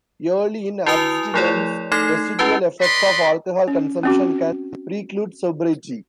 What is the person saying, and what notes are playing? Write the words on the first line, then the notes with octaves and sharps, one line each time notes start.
Early in abstinence, residual effects of alcohol consumption can preclude sobriety.
E4 F#4 B4 G#5 D#6 F7
F3 A3 E4 G#4 C#5 D5
A3 D#4 A4 G#6 C7
C#4 E4 F#4 B4 G#5
B4 D5 D#5 B5 C6
C#4
C4 C#4 F#4